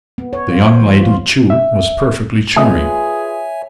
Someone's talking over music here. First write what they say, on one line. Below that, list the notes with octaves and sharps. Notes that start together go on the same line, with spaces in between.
The young lady, too, was perfectly charming.
B3
C#5
F4
C5
E3
F4
E5
A3 F4 G#4 B4 C#5 D#5 E5 G#5